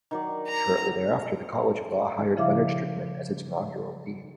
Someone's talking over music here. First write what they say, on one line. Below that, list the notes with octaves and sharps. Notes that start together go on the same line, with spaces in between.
Shortly thereafter, the College of Law hired Leonard Strickman as its inaugural Dean.
D#3 F#3 D5
A#5
C#3 F3 E4 E5 F5 D6